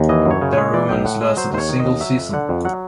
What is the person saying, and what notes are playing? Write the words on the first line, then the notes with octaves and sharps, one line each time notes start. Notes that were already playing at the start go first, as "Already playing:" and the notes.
Their romance lasted a single season.
Already playing: D#2
E3 D#5
F#2
C#5
C#3
G#3 C#5
E3 D5
B1 G5
A2 F#5
G#3
F#3 C5
D#2 C5
C#5
D#3
D#5
D#2
F#3 E5
F2
D3 F#5
F2
F#3 F#5